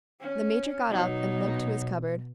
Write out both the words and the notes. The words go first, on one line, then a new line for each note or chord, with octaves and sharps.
The Major got up and limped to his cupboard.
C#4
B2 F#3 D#4